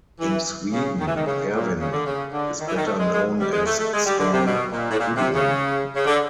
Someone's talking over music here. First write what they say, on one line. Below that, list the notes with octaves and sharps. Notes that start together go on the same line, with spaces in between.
In Sweden Erwin is better known as Storm Gudrun.
E3
C#3
D#3
E3
D#3
C#3
A#2
C#3
D3
C#3
D3
D#3
E3
D#3
A3
G#3
G#3
G3
G#3
A3
A3
G#3
G3
D3
C3
B2
A#2
A2
A#2
C3
C#3
C#3
D3